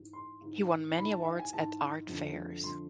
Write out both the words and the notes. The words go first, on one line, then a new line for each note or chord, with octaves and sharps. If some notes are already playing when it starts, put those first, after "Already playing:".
He won many awards at art fairs.
Already playing: G#2 E3
C6
G#2 E3
G#2 E3 B5
A5
E5
G#5
G#2 E3 A5
F2 D3 F3
F2 D3 F3 C6